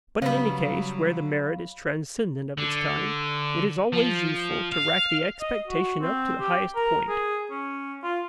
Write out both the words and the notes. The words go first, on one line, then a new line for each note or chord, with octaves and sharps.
But in any case where the merit is transcendent of its kind, it is always useful to rack the expectation up to the highest point.
C#3 F#3 G3 B3 F5 B5
D3
F3
F5
D#5
F#4
C4
G4
A#4
G#4
C#4
F4